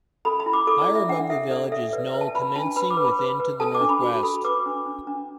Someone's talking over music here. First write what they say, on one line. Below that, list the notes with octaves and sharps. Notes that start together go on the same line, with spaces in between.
Higher above the village is Knowle commencing within to the northwest.
A4 B5
B5
E4
D6
A4 D6
D5
E4
E5
D4 F#5
A4 E5
A4 D5
A4 E5
B4 D5
E5
B4
A5
B4 B5
D4 A5
B4 B5
D6
B4
B5
B4
B4
A4 A5
D6
D4
B5
F#4
A4 B5
B4 D6
D4
D4
D4